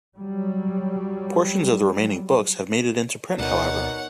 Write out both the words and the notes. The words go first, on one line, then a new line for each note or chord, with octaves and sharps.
Portions of the remaining books have made it into print, however.
F#3 G3
D2 B2 D#4 A#4 C#5 D5 F#5